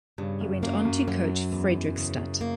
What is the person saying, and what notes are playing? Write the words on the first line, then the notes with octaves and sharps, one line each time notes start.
He went on to coach Fredrikstad.
G2 C#3
F#2
F#2 A#3
F#2
F#2 F#3
E2
C#3
A#3